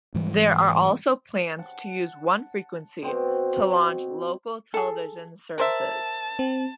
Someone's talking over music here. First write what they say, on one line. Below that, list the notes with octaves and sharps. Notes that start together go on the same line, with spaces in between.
There are also plans to use one frequency to launch local television services.
G#2 E3 G3
F#5 A5
B2 C4 C5
G#4 A4
A#4 C5 E5 A5
C4